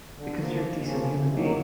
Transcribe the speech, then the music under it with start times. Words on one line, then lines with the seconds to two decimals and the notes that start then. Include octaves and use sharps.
Because you're a decent human being.
0.16 D3
0.38 F3 A#3
0.61 D#2
0.84 C#3 F3 A#3 C#4
1.07 C3
1.29 D#3 F#3 A#3